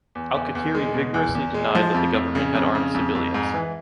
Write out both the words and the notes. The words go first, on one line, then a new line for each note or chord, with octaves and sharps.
Alkatiri vigorously denied that the government had armed civilians.
E2
E2
E2
G#3
B2
E2
E2
G#3
F3
F2
F2
C#3
F2
C#3
F2
F2
G#2
E3